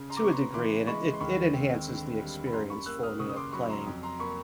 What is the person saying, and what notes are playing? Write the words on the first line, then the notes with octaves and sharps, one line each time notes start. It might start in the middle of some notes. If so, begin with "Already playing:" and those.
to a degree and it it enhances the experience for me of playing.
Already playing: C#3
A#5 C6
D6
B3 C#6
A#5 C6
E3 C6 D6
G#3 B5 C#6
C6
D#2 B5 C#6
C4
D3
G3
B5
F#2 A#5 C6
B5 C#6
A#3 E6 F#6
D#6 F6
C#3 C#6 D#6
D#6
C6 D6
F#3 B5 C#6
A#5 C6
F2
A#5 C6
A#3 B5 C#6